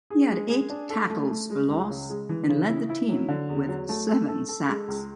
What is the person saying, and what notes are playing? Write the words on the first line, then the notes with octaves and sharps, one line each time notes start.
He had eight tackles for loss and led the team with seven sacks.
G#4
G#3
G#4
D4
A4
A3
A3
G#3
C#2
C#3
G#3
E3
C#3
E4
E4
F#3
D3
E2
F#3
A3
A4
A4
A4
G#3
C#2